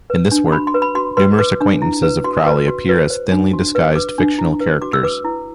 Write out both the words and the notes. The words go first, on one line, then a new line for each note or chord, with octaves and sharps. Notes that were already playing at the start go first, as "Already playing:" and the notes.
In this work, numerous acquaintances of Crowley appear as thinly disguised fictional characters.
B4
D4
F#4 B5
C6
B4
B5
F#4 C6
B4 C6
B4 D6
D4
E4
B4
F#4 C6
B4
F#4
B4
C5
D4
F#4
B4
B4 D6
D4
E4
B4
F#4 D6
E6
B4 D6
E4